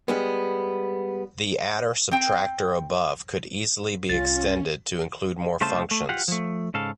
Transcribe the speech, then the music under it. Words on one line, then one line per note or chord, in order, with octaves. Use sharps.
The adder-subtractor above could easily be extended to include more functions.
G3 G#3 B3
C4 G5
C2 C#4 F4 A6
C2 C#3 A3 F4 C5 A5
A3
F4 G4 F5 F#5
F3 A3
G#2 C#3 A4 F5